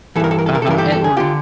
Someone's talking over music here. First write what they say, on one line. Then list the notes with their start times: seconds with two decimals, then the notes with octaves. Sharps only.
Uh-huh, and or
0.16 E3 A4
0.20 G2 A#4
0.31 A4
0.39 A#4
0.46 A4
0.55 A#4
0.62 A4
0.67 G2 E3 A#4
0.78 G4 A4
0.92 A4
1.04 G#4
1.17 D3 F4 G4